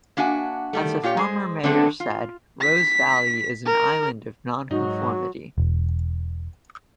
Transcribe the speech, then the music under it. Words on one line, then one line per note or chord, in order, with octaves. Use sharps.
As a former mayor said, Rose Valley is an island of non-conformity.
A#3 D4 F#4 E5 G#5
D#3 G3 A3
A#2 F4 G4 C#5
G#3 G#4 C5
D3 F#3 A3 B3 C4 D4
F4
B6
A#4
G#2 F#3 D#4 F#4
E1